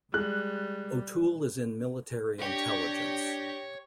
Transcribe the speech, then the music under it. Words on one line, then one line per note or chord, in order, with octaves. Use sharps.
O'Toole is in Military Intelligence.
G3 G#3 F#6
D4 G4 C#5 A#6